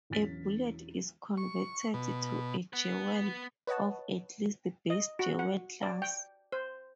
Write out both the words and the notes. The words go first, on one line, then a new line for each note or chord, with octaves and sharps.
A bullet is converted to a jewel of at least base jewel class.
E1 E2 F#3 C#4 A6 B6
C#6
B2
B3 B4
B4 C#5 D#5 F#5 A5
D#5
F#4
F#5
D5
G5
C5